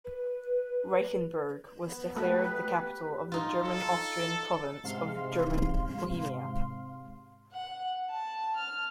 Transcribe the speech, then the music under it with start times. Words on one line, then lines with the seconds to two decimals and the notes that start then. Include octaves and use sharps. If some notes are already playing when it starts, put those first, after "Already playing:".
Reichenberg was declared the capital of the German-Austrian province of German Bohemia.
0.05 B4
1.87 B3
2.16 A3 F#4 G4 B4
3.32 D#4 F4
3.64 A4
4.83 G#2 C3 F5 C6
7.52 F#5
8.09 A5
8.56 F6